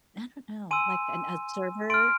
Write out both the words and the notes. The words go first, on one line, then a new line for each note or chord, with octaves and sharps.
I don't know, like an observer?
G#5 C6 E6 D#7
C6 F6 D7